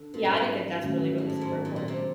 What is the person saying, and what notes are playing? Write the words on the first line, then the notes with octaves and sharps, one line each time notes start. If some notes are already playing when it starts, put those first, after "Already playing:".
yeah, I do think that's really, really super important.
Already playing: D3
A#2 G3 A#3 C#4 F#4
G#2
G#2
D#3 F#3 A3 C#4 F#4
A2
A2
G#2
D#3 F#3 B3
A#2
A#2
C3